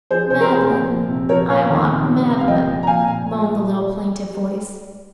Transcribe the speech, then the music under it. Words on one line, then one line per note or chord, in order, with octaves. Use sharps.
"Mad'len--I want Mad'len," moaned the little plaintive voice.
F3 G#4 C5
C3 C5
A#4
F3 G#4 C5
A#2
F3
C3
F3 A#4 C#5
A#2 C#5 F5
D#3
C3
F3
C3
F5
F3 D#5 G5
A#2
A#5
F3 F5 G#5
A#2